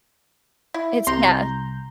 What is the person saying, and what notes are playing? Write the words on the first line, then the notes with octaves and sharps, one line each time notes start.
It's yeah.
E4
C2 A#5 C6 G6